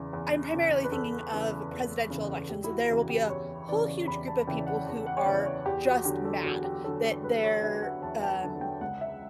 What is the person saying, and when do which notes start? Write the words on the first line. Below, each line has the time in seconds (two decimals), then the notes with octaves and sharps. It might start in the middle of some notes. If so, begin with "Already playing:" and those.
I'm primarily thinking of presidential elections. There will be a whole huge group of people who are just mad that their, um,
Already playing: E2 C#3 E3
0.13 E2
0.53 C#3 E3
0.84 B4
0.92 E2 A4
1.32 C#3 E3
1.71 E2
2.10 C#3 E3
2.49 E2 G4
2.64 E4
2.70 F#4
2.90 C#3 E3 F#4
3.09 G4
3.29 E2 C#5
3.68 C#3 E3 D5
4.08 E2 B5
4.28 A5
4.47 C#3 E3 G5
4.67 F#5
4.87 E2
5.06 F#5
5.17 C#5
5.26 C#3 E3 D5
5.46 C#5
5.66 E2 G4
5.85 F#4
6.05 D3 F#3 G4
6.25 A4
6.44 E2 F#4
6.64 G4
6.84 D3 F#3 A4
7.04 A4
7.24 E2 B4
7.44 C#5
7.63 D3 F#3 E5
7.83 F#5
8.02 E2 A5
8.23 A5
8.41 D3 F#3 A5
8.61 G5
8.81 C#2 F#5
9.01 E5